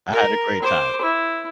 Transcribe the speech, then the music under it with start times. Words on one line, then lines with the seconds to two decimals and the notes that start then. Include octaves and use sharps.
I had a great time.
0.12 A#4
0.62 C5 D6
1.02 E4